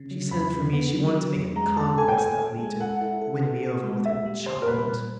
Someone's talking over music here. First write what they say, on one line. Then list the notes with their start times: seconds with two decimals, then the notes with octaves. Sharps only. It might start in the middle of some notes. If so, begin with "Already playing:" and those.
She sent for me, she wanted to make a conquest of me, to win me over with her chocolate....
Already playing: C#3
0.11 F#3
0.31 E2 B5
0.53 C#3
0.73 B3
0.94 F#3
1.15 F#3
1.35 E2
1.56 G#3 A#5
1.76 A4 A5
1.98 A4 G#5
2.08 G5
2.18 A4 G#5
2.39 A4
2.59 G#3
2.80 A4 F#5
3.01 E4
3.21 A4
3.43 B3
3.63 A4
3.84 G#3
4.05 A#2 E5
4.25 G3
4.46 G3 C5
4.62 A#4
4.67 A#2 B4
4.88 A#2